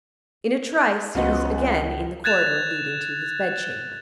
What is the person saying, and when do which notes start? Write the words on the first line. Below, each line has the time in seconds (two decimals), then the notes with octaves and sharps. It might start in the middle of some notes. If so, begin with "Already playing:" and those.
In a trice he was again in the corridor leading to his bed-chamber.
1.15 C#2 C#3 F3 B3 F4 F#4 D#5
2.24 F#6 G#6 A6 E7 F7